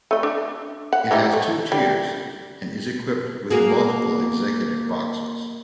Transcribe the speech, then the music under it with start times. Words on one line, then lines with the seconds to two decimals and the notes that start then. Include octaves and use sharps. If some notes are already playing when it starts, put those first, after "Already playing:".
It has two tiers and is equipped with multiple executive boxes.
0.11 A3 D#5
0.23 D4
0.93 F#5
1.11 E3 G3 D#4
1.33 A3
1.72 G3
3.50 A#3 F#4 G#4